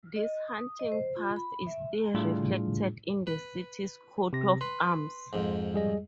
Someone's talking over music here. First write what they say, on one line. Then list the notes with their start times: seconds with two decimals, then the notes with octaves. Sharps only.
This hunting past is still reflected in the city's coat of arms.
0.16 D#5
0.48 D#6
0.79 D#5
0.92 C5
1.16 F4
1.36 B5
1.67 E5
2.15 A2 G3 A3 D4 F4 G#4
3.27 B4
4.33 C3 A#6
4.61 B4 C6
5.33 F2 G#2
5.74 G3 G#4 D#5